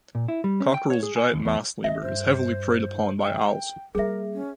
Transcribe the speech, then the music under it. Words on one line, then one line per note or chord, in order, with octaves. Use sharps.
Coquerel's giant mouse lemur is heavily preyed upon by owls.
A#2
E4
G3
C#4
G5
C#5
G#4
G#5
D#2
E2
C#2 D#5 E5
G2 C5
G5
G3 A#3 G#4 A#4 E5
C#4